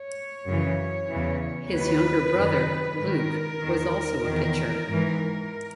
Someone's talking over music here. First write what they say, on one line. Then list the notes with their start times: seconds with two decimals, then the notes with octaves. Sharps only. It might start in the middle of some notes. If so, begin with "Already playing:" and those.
His younger brother, Luke, was also a pitcher.
Already playing: C#5
0.46 F#2 C#3 E3
1.10 E2 C#3 E3
1.73 D#2 D#3 B4
2.36 F#2 D#3
2.99 G#2 D#3 A#4
3.62 E2 D#3
4.26 E2 D#3
4.90 G#2 E3